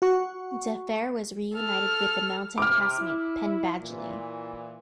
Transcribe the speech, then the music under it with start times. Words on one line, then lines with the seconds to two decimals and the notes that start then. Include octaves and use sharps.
DeFer was reunited with "The Mountain" castmate Penn Badgley.
0.02 F#4 F#5 C#6
1.54 A4 F6
2.58 C3 D6 F6
2.98 E4
3.82 A#2 E3